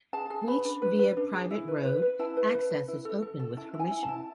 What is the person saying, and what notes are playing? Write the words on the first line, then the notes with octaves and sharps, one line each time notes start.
Reached via private road, access is open with permission.
G#4 A5
G#4
B4 B5
D4
B4
B4
D4
G#4
E4
B4
B4
B4
E4 A5
B4
B4
B4
E4
A4
A4
A4
E4 A5
E4
G#5
E4
A5
E4